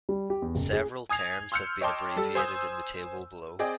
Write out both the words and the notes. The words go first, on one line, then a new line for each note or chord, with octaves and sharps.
Several terms have been abbreviated in the table below.
G3
G4
E2
F#1
G#4
G#5 D#6 G#6 C7 F7
C6 E6 F6 G6 C#7
C#5 D#5 G5 A5 C6 D6
G3 A4 E6
C5 G#5 C6 D#6 E6 G6
C4 G#4 D5 D#5 G5